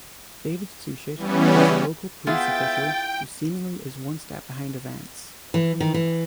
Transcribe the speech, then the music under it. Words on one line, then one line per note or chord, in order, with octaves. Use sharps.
David Suchet plays a local police official who seemingly is one step behind events.
E3 G3 B3 C#4
B3 E4 F4 G#4 E5 G5 A6
E3
D#3
E3